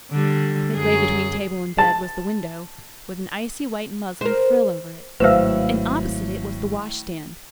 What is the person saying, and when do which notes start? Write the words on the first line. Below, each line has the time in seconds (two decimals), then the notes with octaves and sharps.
Midway between table and bed was the window, with an icy white muslin frill over it, and opposite it was the wash-stand.
0.11 D3 G3
0.77 F#2 G#4
1.78 A5
4.21 A#4 C5
5.20 G#1 A2 F#3 B4 C5 E5 F5 E6